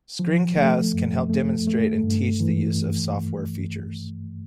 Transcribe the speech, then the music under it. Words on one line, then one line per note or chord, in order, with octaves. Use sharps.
Screencasts can help demonstrate and teach the use of software features.
F3
A3
F#2
A3
A3
G2
E3